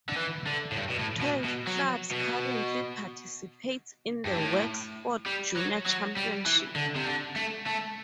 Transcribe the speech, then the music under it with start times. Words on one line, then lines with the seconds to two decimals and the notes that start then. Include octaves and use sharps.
Twelve clubs currently participate in the Wexford Junior Championship.
0.09 D3
0.17 E3
0.47 D3
0.72 A2
0.77 G2
0.90 B2
0.99 A2
1.21 B2
1.45 B2
1.67 F#3
2.11 B2
4.26 G2
4.36 A2
5.26 G3
5.57 F#3
5.86 F#3
6.17 G3
6.46 E3
6.76 D3
6.96 C3
7.06 D3
7.36 A3
7.67 A3